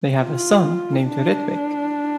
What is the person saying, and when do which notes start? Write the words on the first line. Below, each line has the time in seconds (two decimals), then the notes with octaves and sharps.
They have a son named Ritwik.
0.23 F4
1.02 D4